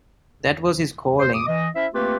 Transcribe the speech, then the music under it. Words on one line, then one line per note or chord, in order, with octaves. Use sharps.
That was his calling.
C5
D6 D#6
E3 D#5
C#4 E4 C5 E5
A3 A#3 C4 F4 G4 B4